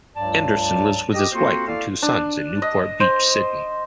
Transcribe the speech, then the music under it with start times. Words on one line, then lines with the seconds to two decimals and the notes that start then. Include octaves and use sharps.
Anderson lives with his wife and two sons in Newport Beach, Sydney.
0.16 C#2 G2 F#3 D5 A5
1.13 G4 D#5
1.33 A#3 C4 F4 F#4 A4 C5
1.66 E4 A4 D5 F5
2.03 D4
2.62 D#5
3.00 C5